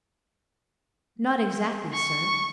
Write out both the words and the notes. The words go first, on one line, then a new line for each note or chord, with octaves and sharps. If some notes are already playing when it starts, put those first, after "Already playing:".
"Not exactly, sir."
C#6